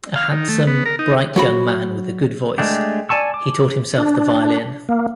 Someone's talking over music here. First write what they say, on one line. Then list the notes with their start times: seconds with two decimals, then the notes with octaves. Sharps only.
A handsome, bright young man with a good voice, he taught himself the violin.
0.16 F5
0.32 D#3
0.49 A3
0.67 B3
0.86 A#4
0.99 D#4
1.36 F#3 F#4 B5
2.58 G#3 A3 D4 G4
3.09 D5 G#5 A5 C#6 E6
3.34 D6
3.98 D4
4.89 A#3